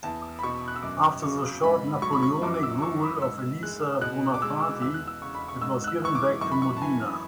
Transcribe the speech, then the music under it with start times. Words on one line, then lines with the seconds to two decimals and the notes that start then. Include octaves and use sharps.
After the short Napoleonic rule of Elisa Bonaparte, it was given back to Modena.
0.03 E2 A5
0.39 B5
0.43 B2 C#6
0.68 F#6
0.76 E6
0.83 F#2 D6
1.22 C#3 C#6
1.63 G#2 B5
2.02 F#3 C#6
2.13 B5
2.23 C#6
2.42 F#2 D6
2.54 D6
2.63 E6
2.82 E3 C#6
3.03 B5
3.22 G#2 E6
3.63 G#3 F#6
4.01 B2 F#6
4.34 D6
4.42 G#3 E6
4.82 E2 E6
4.94 F#6
5.07 E6
5.21 C#3 C#6
5.35 B5
5.48 C#6
5.61 G#2 E6
5.84 F#6
5.87 E6
6.02 E3 C#6
6.15 D6
6.41 F#2 C#6
6.52 B5
6.62 C#6
6.77 A5
6.82 E3 G#5